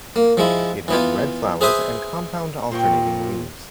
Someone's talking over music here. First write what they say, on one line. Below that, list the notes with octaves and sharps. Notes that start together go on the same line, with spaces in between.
It has red flowers and compound alternating leaves.
A#3
F3 G#3 E4
E3 B3 F4
G#4 B4 C5 E5 G#5 D#6
A#2 C5 G5 C#6